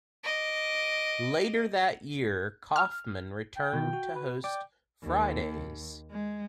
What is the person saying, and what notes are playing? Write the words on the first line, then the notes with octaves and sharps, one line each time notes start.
Later that year, Kaufman returned to host "Fridays".
D#5 D6
F6
G5
B2 D#3
F#4
B4
D5 G5 D6
D#2
G#3